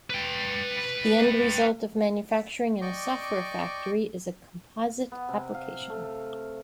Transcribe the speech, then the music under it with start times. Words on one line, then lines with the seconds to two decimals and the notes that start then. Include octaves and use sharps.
The end result of manufacturing in a software factory is a composite application.
0.10 B4 G5
2.81 D5 D#5 G5 C#6 D6
5.12 B3
5.29 C3
5.54 F5
5.90 A3